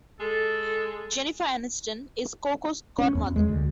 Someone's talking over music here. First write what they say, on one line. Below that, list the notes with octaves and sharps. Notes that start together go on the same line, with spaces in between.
Jennifer Aniston is Coco's godmother.
G#3 A4
C#4
E2
G#3
D2